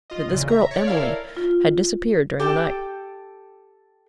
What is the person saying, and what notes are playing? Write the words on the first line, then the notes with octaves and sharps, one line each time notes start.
"That this girl, Emily, had disappeared during the night?"
F4 D#5
E2 A#2 C#3
E5 A#5
C#5 D5
E4 A4 A#4 C#5 D5 F5
F4
G4 A4 G5